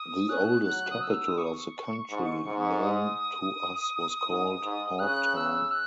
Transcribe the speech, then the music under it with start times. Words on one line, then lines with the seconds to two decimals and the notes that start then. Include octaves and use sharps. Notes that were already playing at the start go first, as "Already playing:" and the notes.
The oldest capital of the country known to us was called Hawktown.
Already playing: D#6
0.29 C#4 F#6
0.66 F#3 F#6
0.91 D#6
1.02 E6
1.28 D#6
1.38 C#6
2.10 G#2
2.46 G#2
2.83 D#6
4.27 G#2
4.63 G#2
4.99 C#3 F#6
5.36 E6
5.71 F#6